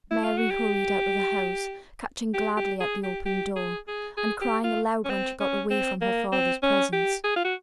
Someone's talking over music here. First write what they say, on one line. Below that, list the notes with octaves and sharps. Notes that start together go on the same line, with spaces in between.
Mary hurried out of the house catching gladly at the open door, and crying aloud when she got away from her father's presence.
E4
F4
F#4
G4
G4
G4
G#4
G4
G4
G#4
G#4
G#4
G4
F4
C#4
C4
C#4
C4
A#3
C4
C#4
G4
G#4
F4
F#4